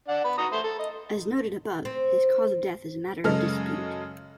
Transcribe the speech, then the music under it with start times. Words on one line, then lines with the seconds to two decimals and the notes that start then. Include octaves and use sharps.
As noted above, his cause of death is a matter of dispute.
0.08 D4 D5 F#5
0.24 B3 B5
0.38 F#4 A#5 D#6
0.52 A3 C5 C6
0.64 A4
0.79 D#5
1.85 C4
3.24 F#2 C#3 G#3 A4 D#5 F6